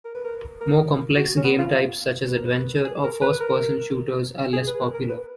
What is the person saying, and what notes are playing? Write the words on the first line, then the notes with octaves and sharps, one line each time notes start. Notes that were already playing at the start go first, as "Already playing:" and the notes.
More complex game types, such as adventure or first person shooters, are less popular.
A#4
B4
A#4
A#4
F#4
C#4
B3
F4
B4
A#4
B4
G#4
A#4
B4
A#4
G#4
B4
A#4
A#4
B4